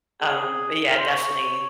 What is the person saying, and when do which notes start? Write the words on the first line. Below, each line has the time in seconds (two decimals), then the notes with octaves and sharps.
Um, but, yeah, definitely
0.21 G#4
0.87 A#4
0.98 C5
1.08 C#5